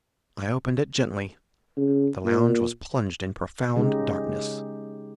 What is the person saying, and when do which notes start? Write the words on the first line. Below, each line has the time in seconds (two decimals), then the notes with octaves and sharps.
I opened it gently. The lounge was plunged in profound darkness.
1.77 C#3
2.25 A#2
3.76 C#3 G#3 D#4 G4